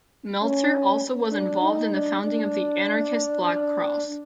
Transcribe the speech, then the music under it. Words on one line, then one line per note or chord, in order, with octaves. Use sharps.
Meltzer also was involved in the founding of the Anarchist Black Cross.
C#4
D4
D#4
D4
D4
D4